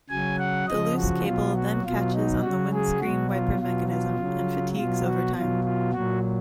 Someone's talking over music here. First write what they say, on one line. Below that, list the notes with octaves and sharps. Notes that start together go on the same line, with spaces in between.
The loose cable then catches on the windscreen wiper mechanism and fatigues over time.
C#3 F#3 G#5
F#5
C#3 F3 D#5
F#4
B2 F#3 F4
F#4
B2 F#3 F4
D#4
C#3 F#3 F#4
G#4
B2 F#3 F#4
F4
B2 F#3 F4
F4
C#3 F#3
B2 F#3 F4
F#4
B2 F#3 F4
F4
A#2 F#3 F#4